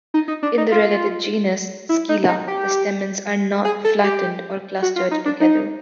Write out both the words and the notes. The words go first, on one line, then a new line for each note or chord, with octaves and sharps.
In the related genus "Scilla", the stamens are not flattened or clustered together.
D#4
D#4
D4
D#4
F4
E4
D#4
D#4
G4
G#4
A4
G4
F#4
F4
D#4
D4
D#4